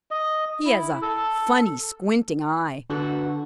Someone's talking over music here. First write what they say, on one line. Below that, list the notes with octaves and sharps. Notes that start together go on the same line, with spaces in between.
"He has a funny, squinting eye."
D#5
E4
A4
D3 B3 F#4 A4